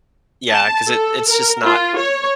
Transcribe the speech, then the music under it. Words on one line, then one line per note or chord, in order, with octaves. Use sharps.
Yeah, 'cause it it's just not
A5
A4
A#4
F4
C#5